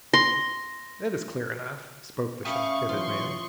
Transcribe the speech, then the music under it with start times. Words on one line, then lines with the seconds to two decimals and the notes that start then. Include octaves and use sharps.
"That is clear enough," spoke the shock-headed man.
0.13 C6 A#6
2.45 A3 C#4 F5 G5 B5 C#6 D#6 D#7
2.89 E3 F#3 F4 C6 C#6